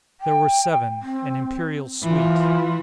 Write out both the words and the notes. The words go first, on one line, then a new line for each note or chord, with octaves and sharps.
There were seven--an imperial suite.
G5
C4
E3 F4